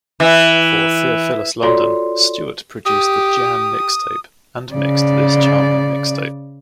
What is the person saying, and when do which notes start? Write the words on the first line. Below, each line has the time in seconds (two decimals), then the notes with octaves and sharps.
For Theophilus London, Stewart produced the Jam Mixtape and mixed This Charming Mixtape.
0.20 E3
1.63 F4 F#4 A4 C#5 D5 C6
2.85 G4 D#6
4.72 C#3 D5